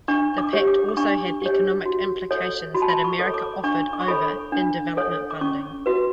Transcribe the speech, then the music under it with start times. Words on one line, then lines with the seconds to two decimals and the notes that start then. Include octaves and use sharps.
The pact also had economic implications that America offered over in development funding.
0.08 D4 C#6
0.38 D6
0.53 G4 C#5
0.67 D6
0.88 D6
0.97 D4 C#6
1.42 G4 C#5
1.86 F#4
2.31 A4 C#5
2.75 F#4 B5
2.82 A5
2.89 B5
3.04 C#6
3.19 A4 C#5
3.34 D6
3.64 D4 C#6
3.93 D6
4.00 C#6
4.08 A4 C#5 B5
4.52 D4
4.97 A4 C#5
5.31 D6
5.41 C#4 C#6
5.86 F#4 B4